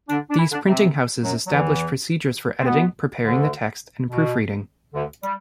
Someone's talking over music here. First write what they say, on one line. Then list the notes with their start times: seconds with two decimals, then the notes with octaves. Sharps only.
These printing houses established procedures for editing, preparing the text, and proofreading.
0.09 D3 D4
0.30 D4
0.37 E3 E4
0.52 D3 D4
0.66 C3 C4
1.23 F#2 F#3
1.46 F#3
1.51 E2 E3
2.60 C4
2.65 B2 B3
3.23 D2 D3
4.09 B2
4.94 D2 D3
5.23 G3